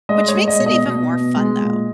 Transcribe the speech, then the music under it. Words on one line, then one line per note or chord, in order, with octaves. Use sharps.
Which makes it even more fun though.
G#3 D#5
C#5
G#3
D#5
B2
D#5
B2
B2
G#3
A#2